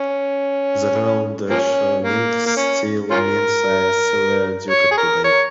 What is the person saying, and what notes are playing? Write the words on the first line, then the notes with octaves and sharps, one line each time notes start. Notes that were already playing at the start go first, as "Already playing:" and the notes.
The Royal Dutch Mint still mints a silver ducat today.
Already playing: C#4
F3 A#3 C#4
A#3
A#3
C#4
C#4 F4 A#4
C#5
G#4
A#4
C#5